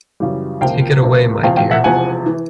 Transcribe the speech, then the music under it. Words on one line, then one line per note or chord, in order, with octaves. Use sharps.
Take it away, my dear.
F#2 C#3 E3 G3
C#2 C3 F3 A#3 F5 G5
C#2 C3 F3 A#3
E1 E2 C3 F3 F5 G5
F5 G5
E5 F#5
E1 E2 C3 F3 F#5 G#5
E3